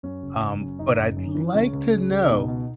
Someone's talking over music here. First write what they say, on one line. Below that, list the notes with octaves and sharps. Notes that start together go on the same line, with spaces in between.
um, but I'd like to know
F#2 C#4
F#1
F#1
F#2
F#1 D#4
F#1
F#2
E3
C#2 C#4
C#2
G#3
C#2
B2 D#4
B2